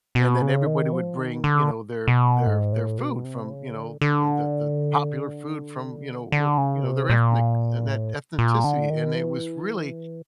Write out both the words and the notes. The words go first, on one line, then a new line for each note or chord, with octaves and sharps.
and then everybody would bring, you know, their their their food from, you know, the the the popular food from, you know, uh, you know, their ethnic etn ethnicity, and it was really
B2
C#3
D#3
F3
D#3
D3
B2
G#2
A2
B2
C3
C#3
D3
D3
D3
C#3
C3
A#2
A2
A#2
D3
D#3
E3